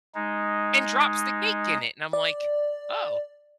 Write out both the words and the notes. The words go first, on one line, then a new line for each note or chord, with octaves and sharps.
and drops the cake in it, and I'm, like, "Oh"
G#3 D#4
D5